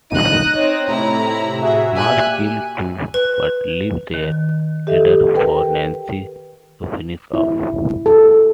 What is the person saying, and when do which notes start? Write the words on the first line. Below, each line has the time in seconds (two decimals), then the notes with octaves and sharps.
Marv kills two but leaves their leader for Nancy to finish off.
0.10 D#4 F#6 A#6 D#7
0.55 C4 C#5
0.88 A2 C3 E4 A#5
1.61 F#4 G#4 E5
1.95 A#2 G4 E5 G#5 F#6
3.14 B4
4.14 D#3
4.87 G4 A4 D#5 E5
5.35 A#4 B4 G5
7.34 E4
8.06 A4